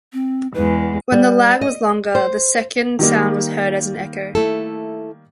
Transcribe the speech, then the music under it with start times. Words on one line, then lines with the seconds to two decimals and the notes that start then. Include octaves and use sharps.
When the lag was longer, the second sound was heard as an echo.
0.13 C4
0.54 E2 G#3 B4
1.12 G3
1.61 D#5
2.15 C5
2.99 D#3 G3 A#3
4.35 A3 E4 A4